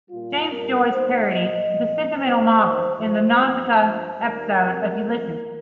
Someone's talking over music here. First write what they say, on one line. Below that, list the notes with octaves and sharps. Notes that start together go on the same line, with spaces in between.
James Joyce parodies the sentimental novel in the "Nausicaa" episode of "Ulysses".
A#2 G3 F4
G2 G3 A#4
D#2 D#3 G3 C5
A#2 F3 D#5
A#2 F3
G2 D#3 G3 C5
D#2 D#3 G3
G2 F3 C5
G2 F3
G2 F3
D#2 D#3 G3 A#4
F2 C3 G3
F2 F3